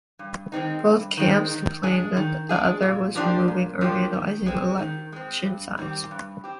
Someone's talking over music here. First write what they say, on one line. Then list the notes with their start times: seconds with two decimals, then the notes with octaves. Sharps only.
Both camps complained that the other one was removing or vandalizing election signs.
0.19 G2
0.52 D#3 G#3 C4 D#4
0.85 G2
1.17 D#3 G#3 C4 D#4
1.51 D#3
1.83 G#3 D4 G#4
2.17 D#3
2.49 G#3 D4 G#4
2.82 A#2
3.15 F3 A#3 D4 G4
3.48 A#2
3.81 F3 A#3 D4 G4
4.13 D#3
4.46 G#3 C4
4.79 D#3
5.12 G#3 C4
5.45 G2
5.78 D#3 G3 C4 G4
6.11 G2
6.44 C4 G4